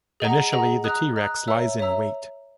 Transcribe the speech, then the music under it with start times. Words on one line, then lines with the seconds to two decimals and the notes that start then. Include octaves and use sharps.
Initially the "T. rex" lies in wait.
0.20 G#4 D#5 F#5 A#5
0.52 G#4 D#5 F#5 A#5
0.84 D#5 A#5 D#6 F#6
1.16 D#5 A#5 D#6 F#6
1.47 C#5 E5 A#5 E6
1.79 C#5 E5 A#5 E6